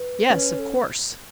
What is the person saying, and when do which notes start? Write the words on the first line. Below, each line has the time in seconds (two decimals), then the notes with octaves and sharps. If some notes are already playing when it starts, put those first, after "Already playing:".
"Yes, of course."
Already playing: B4
0.30 C#4 B4
0.59 A4